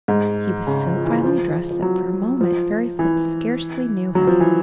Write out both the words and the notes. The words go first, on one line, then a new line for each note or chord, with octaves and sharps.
He was so finely dressed that, for a moment, Fairyfoot scarcely knew him.
G#2
C#3
F3
E3
F3
F3
F#3
F3
E3
F#3
F3
E3